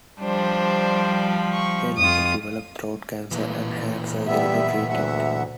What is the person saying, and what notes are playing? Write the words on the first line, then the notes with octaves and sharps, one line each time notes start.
Hey later developed throat cancer, and had surgery to treat it.
F3 G3 D4 C5
C#6
F2 F4 D#6
A#2 E3
G3 B3 E5
D2 E5 F#5